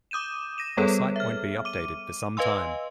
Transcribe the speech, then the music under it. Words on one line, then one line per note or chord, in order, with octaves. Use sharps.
Our site won't be updated for some time.
D6 D#6 G6 D#7 E7
A#6 D#7 E7
G3 B3 G#4 A4 B4 C#5
E5 F6
D6 D#7
B4 D#5 F5 G#5 C6 E6